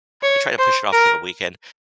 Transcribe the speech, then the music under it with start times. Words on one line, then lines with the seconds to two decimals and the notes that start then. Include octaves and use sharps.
I try to push it off to the weekend,
0.23 C#5
0.58 C5
0.92 A#4